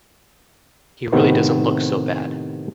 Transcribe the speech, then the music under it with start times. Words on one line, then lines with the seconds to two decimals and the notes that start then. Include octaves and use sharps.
He really doesn't look so bad.
1.12 A2 C3 D#3 B3 C4 D#4